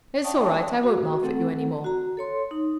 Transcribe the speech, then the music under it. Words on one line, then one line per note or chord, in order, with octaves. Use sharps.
It's all right; I won't laugh at you any more.
D5 F5 G5 A5 C#6 D#6
F#4
A3 C4 A4 F#5
F#4 A#5
A4 C#5 C6
D#4